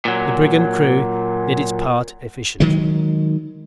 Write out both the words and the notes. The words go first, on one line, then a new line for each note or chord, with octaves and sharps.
The brigand crew did its part efficiently.
A#2 F#3
D#3 F#3 G#3